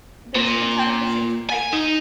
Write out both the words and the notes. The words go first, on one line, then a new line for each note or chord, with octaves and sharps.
There's been times where she's like
A#2
G#5
D#4